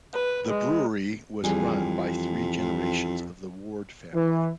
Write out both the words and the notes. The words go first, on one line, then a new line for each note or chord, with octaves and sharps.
The brewery was run by three generations of the Ward family.
B4
G#3
F2 E3 G3 G#4
E3